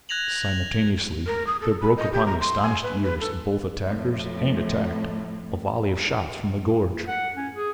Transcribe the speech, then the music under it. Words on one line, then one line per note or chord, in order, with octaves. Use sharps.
Simultaneously there broke upon the astonished ears of both attackers and attacked a volley of shots from the gorge.
F#6 G#6 A#6 F7 F#7
A#4
D#6
A4
B5
D#5
G4
A#5
C6
G#5
B4
B4
A4
F2 A2
F#5
C#4
G#4